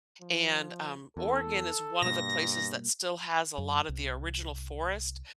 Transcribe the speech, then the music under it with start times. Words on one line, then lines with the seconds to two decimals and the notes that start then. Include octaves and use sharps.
And, um, Oregon is one of the places that still has a lot of the original forest
0.21 F3
1.17 E2 A4
2.02 G2 B2 G3 A#3 A#6
3.58 F#2
3.89 C2